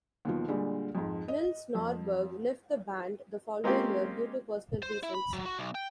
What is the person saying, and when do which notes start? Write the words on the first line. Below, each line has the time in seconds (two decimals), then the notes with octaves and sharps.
Nils Norberg left the band the following year due to personal reasons.
0.25 D#2 B2 F3
0.48 A#2 D3 G3 G#3
0.95 F2 G#2
1.28 D#5
1.75 F2
3.64 G#3 A#3 C4 C#4 F4 G4
4.83 C5
5.03 E4
5.14 B5
5.33 F#3
5.46 F#4
5.59 B1
5.75 G5